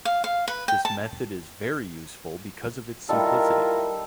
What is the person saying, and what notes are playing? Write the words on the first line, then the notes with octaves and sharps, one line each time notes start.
This method is very useful because of its simplicity.
F5
F5
B4
G5
A5
D#3 G3 E4 F4 A4 A#4